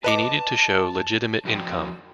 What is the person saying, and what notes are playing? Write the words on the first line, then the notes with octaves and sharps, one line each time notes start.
He needed to show legitimate income.
B4 D#5 A5 D6
F2 F#4 G5